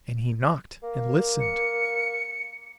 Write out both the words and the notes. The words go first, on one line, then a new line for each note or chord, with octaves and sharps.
And he knocked and listened.
A#3
C#7